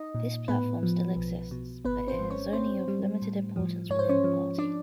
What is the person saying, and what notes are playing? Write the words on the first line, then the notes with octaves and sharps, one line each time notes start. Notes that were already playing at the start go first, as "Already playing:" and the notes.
This platform still exists, but it is only of limited importance within the party.
Already playing: D#4 D#5
A#2
A2 B3 B4
F3
B1
B2
G#1 B3 B4
C4 C5
G#2
C#4 C#5
B2 C4 C5
G3
A2
F3
G#2 C#5
C5
C#4 C#5
F3
D4 D5